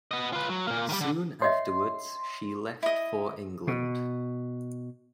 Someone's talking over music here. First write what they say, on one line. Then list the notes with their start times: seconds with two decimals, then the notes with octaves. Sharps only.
Soon afterwards she left for England.
0.11 B3 D#5
0.33 F4 B4
0.50 F#3
0.67 A#2 A#3
0.89 D#3 G3
1.01 D3
1.42 C#5 D#5 E5 C6
2.83 E4 D#5
3.67 B2